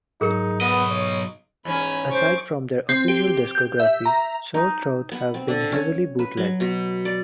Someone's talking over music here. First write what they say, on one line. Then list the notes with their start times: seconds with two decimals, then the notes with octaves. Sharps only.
Aside from their official discography, Sore Throat have been heavily bootlegged.
0.21 G#2 F#3 D#4 G#4 A#4 C#7
0.61 B1 B3 D#5
0.91 C#5
1.65 E2 G#2 C#4 G#5 B5
2.11 C5 C#6 D6
2.89 C4
3.08 G4
3.55 G6
3.80 E5
4.06 A#5
4.54 D#4
5.12 B3
5.34 C4
5.48 D3
5.72 C#4
6.19 B4
6.37 F#3
6.60 B2
7.05 D5